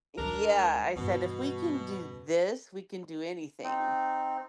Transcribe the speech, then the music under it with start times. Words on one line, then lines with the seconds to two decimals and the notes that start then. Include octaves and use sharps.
Yeah, "I said if we can do this, we can do anything."
0.18 D2 G#3 D4 A#4
0.96 E2 G2 B2
3.64 C4 D#4